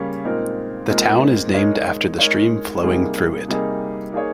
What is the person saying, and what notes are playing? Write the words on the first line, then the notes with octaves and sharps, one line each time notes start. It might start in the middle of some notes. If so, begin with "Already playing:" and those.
The town is named after the stream flowing through it.
Already playing: C#3 G3 A#3 C#4 G4
A#2 G#3 C4 D#4 A#4
A#2 G#3 C4 D#4 A#4
G#3 D#4 A#4 C#5
G#3 D#4 A#4 C#5
C3 G3 A#3 D#4 G#4
C3 G3 A#3 D#4 G#4
A#3 D#4 G#4 C#5